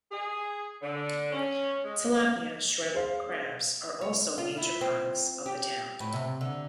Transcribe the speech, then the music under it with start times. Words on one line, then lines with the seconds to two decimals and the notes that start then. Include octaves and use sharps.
Tilapia, shrimp, crabs are also major products of the town.
0.12 G#4
0.82 D3
1.31 C#4
1.84 G#3
2.94 G#4 C5 F5
4.01 C#5
4.38 F4
4.57 E4
4.81 C4
5.46 G4
6.00 A2
6.13 C3
6.41 D3